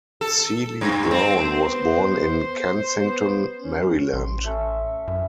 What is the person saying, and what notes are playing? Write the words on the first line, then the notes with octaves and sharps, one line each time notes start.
Seely-Brown was born in Kensington, Maryland.
A4
G2
C4
B3 C5
B3
C#4
A1 C5 C6
C#4 A4 E5
F#2 E4